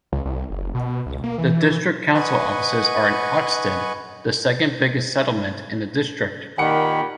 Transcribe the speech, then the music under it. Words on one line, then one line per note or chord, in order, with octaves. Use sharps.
The district council offices are in Oxted, the second biggest settlement in the district.
C#2
C2
F#1
B2
C#2
A#3
E3
B4 D#5 F#5 G#5 B5 C#6
A#2 D#3 G4 F#5 B5 C#7